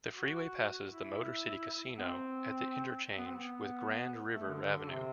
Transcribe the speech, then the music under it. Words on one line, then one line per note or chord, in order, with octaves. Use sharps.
The freeway passes the MotorCity Casino at the interchange with Grand River Avenue.
F#4
E4
B3
C4
B3
C4
B3
A3
D3
D3
D3
C3